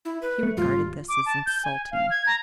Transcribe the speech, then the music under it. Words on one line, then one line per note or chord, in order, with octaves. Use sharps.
He regarded this as insulting.
E4
B4
A3
G#1 D#2 G3 F4
D6
A5
G6
G#5
F5
G#6
A#5